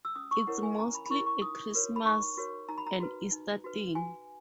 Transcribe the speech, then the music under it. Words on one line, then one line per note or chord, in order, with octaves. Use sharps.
It's mostly a Christmas and Easter thing.
E6
C#4 D#6
C#6
E4 A#4 C#5 F#5
G#5
C#4 A#5
B5
B5
E4 A#4 C#5 C#6
C#6
D#4 D#6
F#4 A#4 C#5
B5
D#4 C#6
F#4 A#4 C#5
D#4 A#5
B5
A#5
F#4 B4
D#4
F#4 B4
F#4 G#5